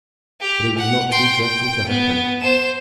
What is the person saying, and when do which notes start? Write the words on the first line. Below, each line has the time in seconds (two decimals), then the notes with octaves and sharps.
But it was not too dreadful to happen.
0.41 G4 F7
0.78 F#5
1.11 G5 C6
1.41 G5
1.88 B3
2.41 C5 E7